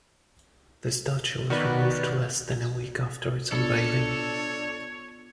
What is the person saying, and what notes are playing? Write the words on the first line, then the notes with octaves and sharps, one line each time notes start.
The statue was removed less than a week after its unveiling.
B2 D#3 F#4 B4 D5
B3 D4 F4 A4 C#5